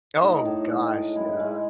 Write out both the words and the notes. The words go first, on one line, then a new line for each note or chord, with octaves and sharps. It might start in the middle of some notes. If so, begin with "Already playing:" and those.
Oh, gosh, yeah.
A2 D#4
A2
G#3
A2
G#3 E4
G#3